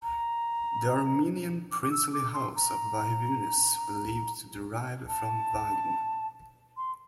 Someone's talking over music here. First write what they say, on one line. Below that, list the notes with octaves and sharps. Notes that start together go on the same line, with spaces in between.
The Armenian princely house of Vahevunis believed to derive from Vahagn.
A#5
D6
D6
E6
D6
C6
A#5
A5
C6